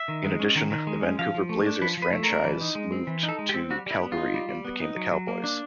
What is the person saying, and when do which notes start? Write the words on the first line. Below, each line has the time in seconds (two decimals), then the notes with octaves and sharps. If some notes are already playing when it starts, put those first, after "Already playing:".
In addition, the Vancouver Blazers franchise moved to Calgary and became the Cowboys.
Already playing: E5
0.08 D#3
0.24 G#3
0.40 C#4
0.55 D#3
0.71 D#3
0.87 G#3
1.03 C#4
1.19 F3 F5
1.34 F3
1.49 A3
1.66 D4
1.81 F3 B4
1.97 F3
2.02 B4
2.13 A3
2.23 A#4
2.29 D4
2.44 E3
2.61 D#4
2.75 G#3
2.92 C4
3.07 E3
3.23 D#4
3.29 A4
3.39 G#3
3.49 G4
3.54 C4
3.70 G3 F#4
3.86 G3 E4
4.02 B3
4.12 F4
4.18 D#4
4.34 G3
4.49 G3
4.65 B3
4.80 D#4
4.96 F#3
5.11 F#3
5.28 A#3
5.44 D4